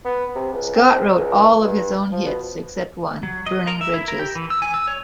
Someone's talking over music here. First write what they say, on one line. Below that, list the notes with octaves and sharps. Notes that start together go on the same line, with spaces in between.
Scott wrote all of his own hits, except one: Burning Bridges.
B3
C3
C#2
C4
C#2
G2
F3
B2
F#3
D#5
A#4
E5
E4
A#4
G4
E3
E6
G#5
E6
C#5